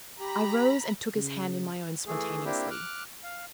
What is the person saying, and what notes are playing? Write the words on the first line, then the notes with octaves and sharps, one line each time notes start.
I rose and took his hand in my own spontaneously.
G4 A#5 B5
C#3
E3 A3 G#4
A#3 C4 D4 E4 G4
D6 F6 F#6
F5